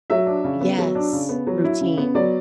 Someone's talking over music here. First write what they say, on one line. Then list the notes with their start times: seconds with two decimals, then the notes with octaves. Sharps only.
Yes. Routine.
0.10 F#3 E5
0.26 D4
0.44 C#3
0.61 B3
0.78 F#3
0.95 D4
1.13 C#3
1.29 B3
1.47 F#3
1.64 E4
1.81 C#3
1.97 B3
2.15 F#3 D5